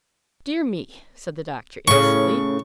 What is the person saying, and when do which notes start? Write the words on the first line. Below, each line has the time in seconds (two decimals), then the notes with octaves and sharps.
'Dear me!' said the Doctor, innocently.
1.88 A2 C#3 C#6